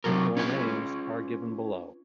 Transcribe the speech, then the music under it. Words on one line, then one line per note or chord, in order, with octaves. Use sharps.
The full names are given below.
C3 F#3 A4 A#4
C#4 F4 B4 G#5